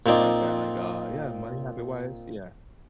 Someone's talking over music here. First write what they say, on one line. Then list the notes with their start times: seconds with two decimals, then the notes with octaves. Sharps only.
stuff like that, like, uh yeah, money habit-wise, yeah.
0.06 A#2 C4 D#4 D5